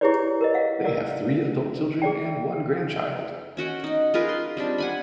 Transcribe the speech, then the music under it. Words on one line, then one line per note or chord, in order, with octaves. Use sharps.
They have three adult children and one grandchild.
E4 G4 G#4 B4 C#5 D5
A#4 B4 D#5
F5 F#5
A#4 D5 F#5
G#4 D5 G5
C#4 F#4 F#5 G5
D#4
F4 G#4 A#4 B4
C6
G3 C4 D4
F#5 G#5 B5